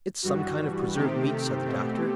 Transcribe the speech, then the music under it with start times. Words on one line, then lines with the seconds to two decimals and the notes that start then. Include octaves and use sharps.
"It's some kind of preserved meat," said the doctor.
0.23 G2 E3 G3 F#4
0.94 C3 D#3 A3 C4 G4
1.65 B2 A3 C4